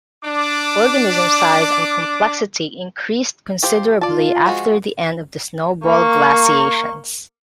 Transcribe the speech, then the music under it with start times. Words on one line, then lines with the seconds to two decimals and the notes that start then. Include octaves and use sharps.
Organism size and complexity increased considerably after the end of the snowball glaciations.
0.25 D4 D6
3.63 F3 G4 C5
4.01 F4 D5 A5
4.46 F3 G#3 F#4
5.84 A#3 C#6